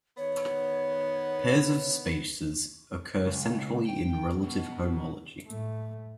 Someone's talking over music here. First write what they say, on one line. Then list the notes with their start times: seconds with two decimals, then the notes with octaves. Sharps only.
Pairs of spaces occur centrally in relative homology.
0.18 D#3 B3 C#5
3.25 C#2
3.86 G5
4.43 B2
5.47 A2 A3